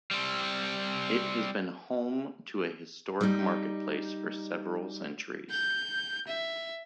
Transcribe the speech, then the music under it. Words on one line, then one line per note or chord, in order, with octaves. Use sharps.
It has been home to a historic market place for several centuries.
G3 C4
G3 D#4
G6
E5